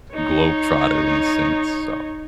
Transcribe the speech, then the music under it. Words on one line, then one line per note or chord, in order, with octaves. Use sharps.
globetrotter in a sense. So,
D#4 C#5